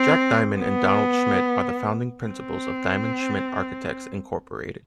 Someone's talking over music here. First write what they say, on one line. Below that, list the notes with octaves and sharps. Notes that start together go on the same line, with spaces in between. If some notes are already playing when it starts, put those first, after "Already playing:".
Jack Diamond and Donald Schmitt are the founding principals of Diamond Schmitt Architects Incorporated.
Already playing: C4
B3
C4